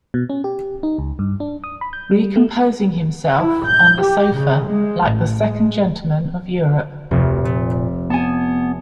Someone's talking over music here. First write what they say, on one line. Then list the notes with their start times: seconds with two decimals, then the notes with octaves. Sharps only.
Recomposing himself on the sofa like the second gentleman of Europe.
0.14 B2
0.30 C#4
0.44 G4
0.83 D#4
0.98 C#2
1.19 G2
1.40 D4
1.64 D#6
1.81 B5
1.93 G6
2.11 G3
2.36 A3
3.38 E4
3.68 G6
4.03 G4
4.38 C#3
4.69 G#3
5.06 A1
5.42 G#3
7.11 F1 D2
7.43 A#2
8.10 B3 G#5 A5